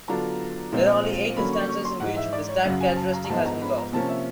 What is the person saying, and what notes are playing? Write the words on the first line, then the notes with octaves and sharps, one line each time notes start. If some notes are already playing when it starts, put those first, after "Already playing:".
There are only eight instances in which the stacked characteristic has been lost.
D3 F#3 B3 D4 F4 A#5
A#2 F3 G#3 C4
D3 F#3 A#3 C#4 B5
C#6
C#6
C6
G#2 E3 G#3 F#5
E5
D5
C#5
F#2 C#3 F#3 F#5
G#5
A5
A#5
A#5
G#2 F3 G#3 B3 A5
A#5
B5
A#5
C3 F3 A#3 C#4 A5
E5